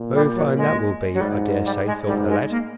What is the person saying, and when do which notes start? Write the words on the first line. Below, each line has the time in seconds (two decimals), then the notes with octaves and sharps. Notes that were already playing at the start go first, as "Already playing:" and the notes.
"Very fine that will be, I dare say," thought the lad.
Already playing: A#2
0.13 G3
0.35 F#3
0.56 G#3
1.13 F#3
1.20 G#2 G3
1.64 G3
1.86 G#3
2.06 G#2 G3
2.28 G#3
2.50 A#3